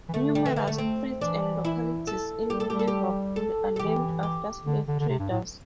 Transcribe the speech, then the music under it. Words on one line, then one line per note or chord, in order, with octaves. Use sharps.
Numerous streets and localities in Liverpool are named after slave traders.
E3
D3 A3
G3
E3
E3
A3
C4
E3 D4
E4
A4
G3 G4
A4
G3 G4
A4
G4
A4
A4
E3 G4
G4
D3
D3
D3
C3
G2
A2